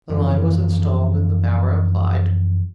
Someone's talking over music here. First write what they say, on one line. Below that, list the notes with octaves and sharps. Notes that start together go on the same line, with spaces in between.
The line was installed and the power applied.
F#2 E3 F3